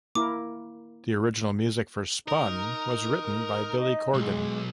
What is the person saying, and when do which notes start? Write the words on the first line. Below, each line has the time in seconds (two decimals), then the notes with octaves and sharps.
The original music for "Spun" was written by Billy Corgan.
0.15 A#3 E4 A#4 D6
2.28 D#4 A#4
3.78 D#5
4.14 B1 G#3